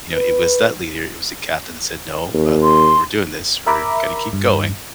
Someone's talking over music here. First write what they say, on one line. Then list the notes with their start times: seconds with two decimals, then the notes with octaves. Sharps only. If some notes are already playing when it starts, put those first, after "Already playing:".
you know, it was that leader, it was the captain that said, "No, uh, we're doing this, we're gonna keep going,”
0.13 B4
2.34 D#2
2.63 C6
3.66 A#4 E5 A#5 B5 D6
4.33 G2